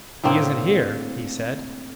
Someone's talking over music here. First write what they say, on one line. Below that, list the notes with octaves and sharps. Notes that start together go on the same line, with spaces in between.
"He isn't here," he said.
A2 D3 A#3 C4